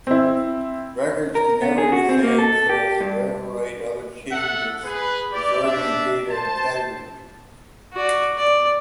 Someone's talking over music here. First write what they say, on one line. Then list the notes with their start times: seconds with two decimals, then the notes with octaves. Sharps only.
Records can never be saved so as to overwrite other changes, preserving data integrity.
0.07 C4 E4
1.35 A#4
1.62 B3
1.78 G#4
1.92 F#4
2.09 C4
2.22 A#3
2.38 A4
2.69 G4
3.01 G2
4.32 A4 E5 F#5
4.84 G#4 B4
5.32 E4 G4 D5
5.63 D4 E5
6.30 C5 A5
7.93 F#4 D5
8.38 D5